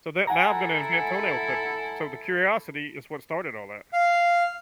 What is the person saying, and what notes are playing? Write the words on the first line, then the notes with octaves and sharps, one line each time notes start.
So that now I'm gonna invent toenail clippers. So, the curiosity is what started all that.
E4 A4 F#5 G#5 A#5
F5